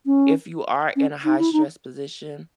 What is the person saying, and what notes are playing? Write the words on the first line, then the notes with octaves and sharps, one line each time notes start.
if you are in a high stress position,
C#4
C#4
D#4
E4
D#4